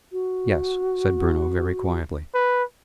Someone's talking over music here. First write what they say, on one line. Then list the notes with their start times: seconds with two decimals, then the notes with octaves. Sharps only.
"Yes," said Bruno, very quietly.
0.12 F#4
2.35 B4